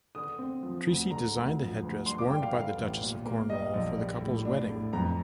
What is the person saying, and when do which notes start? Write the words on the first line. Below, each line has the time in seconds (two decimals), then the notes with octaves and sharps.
Treacy designed the headdress worn by the Duchess of Cornwall for the couple's wedding.
0.15 D3 D#6
0.39 C4
0.63 F3
0.87 D2
1.11 D3 A#5
1.34 D2
1.59 F3
1.83 D2
2.06 G2 C6
2.18 D6
2.30 G3 G5
2.42 F5
2.54 D3 F5
2.78 A1
3.02 A#2
3.26 A#3
3.49 G3 D#5
3.74 A#1
3.98 G3
4.21 A2
4.45 D4
4.69 A2
4.93 F2 A#5